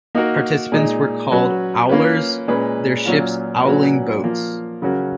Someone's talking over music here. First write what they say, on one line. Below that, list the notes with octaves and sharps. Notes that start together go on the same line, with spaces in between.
Participants were called "owlers"; their ships "owling boats".
A#3 D#4 F#4 A#4
A#2 G#3 D#4
F#3 C#4 F#4 B4
A#3 C#4 F4 B4
A#2 G#3 C#4 G#4 B4
A#2 F#3 C#4 F4
A#2 F#3 C#4 F#4 B4
F3 A#3 F4
C#3 F#3 C#4 F#4 A#4